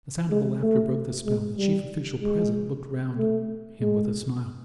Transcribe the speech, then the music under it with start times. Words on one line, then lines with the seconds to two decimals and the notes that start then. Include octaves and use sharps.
The sound of the laughter broke the spell. The chief official present looked round him with a smile.
0.30 G#3
0.62 A3
1.26 G#3
1.57 G3
2.21 G#3
3.18 A3
3.81 G#3